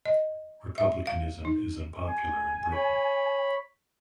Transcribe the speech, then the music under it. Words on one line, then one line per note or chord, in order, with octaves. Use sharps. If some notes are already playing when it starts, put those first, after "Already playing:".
Republicanism is unpopular in Britain.
D#5
E5
F5
D#4
G#5
C#5 B5